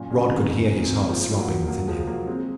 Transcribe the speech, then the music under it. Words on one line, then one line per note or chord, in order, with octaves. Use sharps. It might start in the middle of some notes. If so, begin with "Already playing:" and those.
Rod could hear his heart throbbing within him.
Already playing: F#2 A#2
A#2 C#3
C3 D#3
C4
A#3
F3 G#3
F#3 A#3
F#3 A#3
F3 G#3
F#3 A#3
G#3 C4